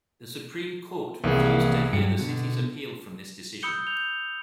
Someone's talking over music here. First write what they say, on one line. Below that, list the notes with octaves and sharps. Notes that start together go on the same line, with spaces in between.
The Supreme Court refused to hear the city's appeal from this decision.
C2 D#3 E3 A#3 B3 G#4
G2 F#3 C#7
B2 D3
B5 D#6 E6 G6 C#7 G7
G6 F7